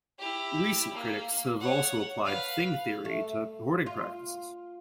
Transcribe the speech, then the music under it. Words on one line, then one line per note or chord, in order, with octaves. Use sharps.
Recent critics have also applied Thing Theory to hoarding practices.
E4 G4
A#3
C#5 F#5
B4 F5
A3
F4